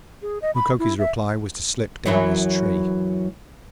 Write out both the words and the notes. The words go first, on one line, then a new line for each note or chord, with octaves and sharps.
Mukoki's reply was to slip down his tree.
G#4
D#5
B5
E4
E5
F#2 E3 F#3